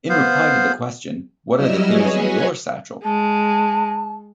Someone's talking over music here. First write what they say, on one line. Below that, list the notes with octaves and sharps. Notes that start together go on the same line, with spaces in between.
In reply to the question, What are the things in your satchel?
B3 C5 F5
F#3 G3 E4 D#5 E6 F6
F#4 G#4 B4 C#5 D#5 G#5
G#3 A5